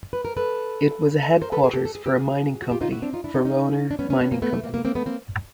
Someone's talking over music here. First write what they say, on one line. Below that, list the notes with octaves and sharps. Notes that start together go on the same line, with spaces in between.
It was a headquarters for a mining company, Voroner Mining Company.
B4
A#4
A4 B4
A#4 C5
A4 B4
G#4 A#4
G4 A4
A4
G#4
G4
F#4 G#4
F#4
F4 G4
D#4 F4
E4 F#4
C4 D4
D#4 F4
D4 E4
C#4 D#4
C#4 D#4
D4
B3 C#4
B3 C#4
B3 C#4
A#3 C4
A3 B3
A3
A#3
A#3
A#3 C4
A3 B3
A#3 C4